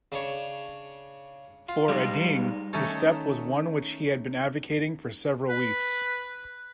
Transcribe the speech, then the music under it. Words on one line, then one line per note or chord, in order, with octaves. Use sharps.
For Adeang, the step was one which he had been advocating for several weeks.
C#3 D4 C#5
F4
G3 G#3 D#4
D#3 A3 C#4 D#4 A4 C#5
B4